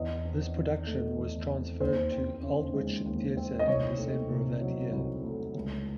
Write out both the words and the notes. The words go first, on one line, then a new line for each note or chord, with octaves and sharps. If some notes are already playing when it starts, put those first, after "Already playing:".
This production was transferred to the Aldwych Theatre in December of that year.
Already playing: E2 D#5
C4
D#3
A3
E2
C4
D#2 C5
C4
C#3
G#3
D#2
C4
D#5
C2 C#5
A3
C3
F#3
C2
A3
C#2